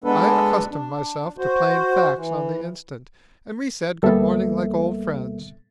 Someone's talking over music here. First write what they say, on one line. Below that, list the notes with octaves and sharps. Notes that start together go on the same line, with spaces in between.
I accustomed myself to plain facts on the instant, and we said good-morning like old friends.
G#3 B3 D4 A4 B4
D4
F#4 C5
E3
D2 G3 A#3 B3 A4 E5